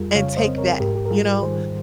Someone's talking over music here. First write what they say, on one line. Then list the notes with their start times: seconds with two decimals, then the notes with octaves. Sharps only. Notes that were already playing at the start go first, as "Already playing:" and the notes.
And take that, you know,
Already playing: F2 G3 F4 G#4 A#4
0.15 C#3 C#5 F5
0.29 C#5
0.36 C5 D#5
0.47 C4
0.58 A#4 C#5
0.80 G#2 G4 A#4
0.95 G4
1.05 A#4
1.11 G3 F4 G#4
1.42 D#3 G#4 C5